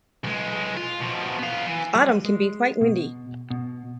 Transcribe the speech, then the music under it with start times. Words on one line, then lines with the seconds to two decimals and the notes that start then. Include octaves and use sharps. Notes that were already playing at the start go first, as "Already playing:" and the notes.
Autumn can be quite windy.
0.24 B1 G#3
0.77 F4
1.01 B2 F3
1.39 B3 F5
1.66 E3
1.95 G3
2.24 G#3
2.81 B2
3.51 B2